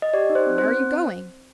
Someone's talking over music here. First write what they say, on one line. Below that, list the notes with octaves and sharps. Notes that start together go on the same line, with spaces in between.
"Where are you going?"
D#5
G4 D5
D#4
C5
C4
C5
C4